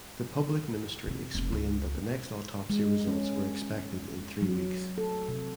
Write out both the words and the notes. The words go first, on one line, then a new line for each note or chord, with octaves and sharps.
The Public Ministry explained that the next autopsy results were expected in three weeks.
C3
F1
C#2
G#3
C#4
F#3
A4
C3